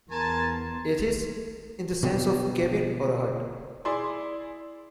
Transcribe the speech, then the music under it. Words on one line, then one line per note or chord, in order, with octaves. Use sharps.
"Athis" in the sense of "cabin or hut".
E2 A#4 G#5 A5 C6
B2 D3 C4
E4 G#4 D5 C6